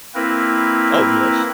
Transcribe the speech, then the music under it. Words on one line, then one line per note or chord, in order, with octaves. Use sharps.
Oh, yes.
A#3 C4 E4 A#4 B4